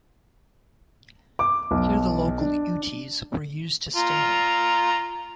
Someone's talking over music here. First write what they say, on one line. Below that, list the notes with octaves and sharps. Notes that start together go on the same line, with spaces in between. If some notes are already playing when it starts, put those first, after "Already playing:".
Here the local Utes were used to staying.
D6
B1
D4
F4 A#5